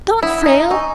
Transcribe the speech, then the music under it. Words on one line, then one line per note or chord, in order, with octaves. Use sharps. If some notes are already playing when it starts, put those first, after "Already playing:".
Don't, Frale.
E4 F#5 B5 D#6
D#4
D#4 D#5 G#5 C#6 E6